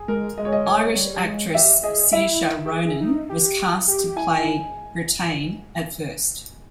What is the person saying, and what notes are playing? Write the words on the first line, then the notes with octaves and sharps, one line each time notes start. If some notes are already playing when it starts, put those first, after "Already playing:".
Irish actress Saoirse Ronan was cast to play Brittain at first.
Already playing: G#4
G#3 A#4
G#3 D#5
C#5
D#5
C#5
G3
G3
G#3
G4 E5
G#4 D#5
E4 E5
G4
G#4
D#4
G4
G4
G4
E4 G#5
E4